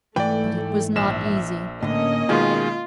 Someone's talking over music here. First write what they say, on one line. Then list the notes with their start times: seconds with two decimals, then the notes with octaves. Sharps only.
But it was not easy.
0.16 G#2 E3 A3 B4 D5 G5
0.96 A#1 E5 E7
1.82 A2 D3 A#3 C#4 D#5
2.29 B2 D#3 G#3 F4 G#4